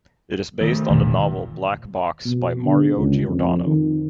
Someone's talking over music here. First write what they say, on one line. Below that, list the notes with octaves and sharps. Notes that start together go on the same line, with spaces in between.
It is based on the novel "Black Box" by Mario Giordano.
D#3 A3
E1 A#2 D#3 E3
B2
D3
C#2
F2
D#3